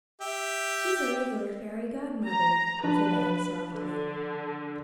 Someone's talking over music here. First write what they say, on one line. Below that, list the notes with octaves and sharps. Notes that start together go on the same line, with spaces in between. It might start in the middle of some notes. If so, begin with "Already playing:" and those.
"She's a regular fairy godmother," said Anne softly.
G4 E5
A#5
F3 D4 B4 A5
D3